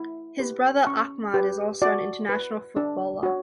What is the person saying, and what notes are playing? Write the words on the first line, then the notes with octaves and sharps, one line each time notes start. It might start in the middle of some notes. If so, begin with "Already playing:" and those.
His brother Ahmad is also an international footballer.
Already playing: E4
G4 B4
C#4 C#6
G4 B4
F#4 D5
B4
D4
F#4 C#5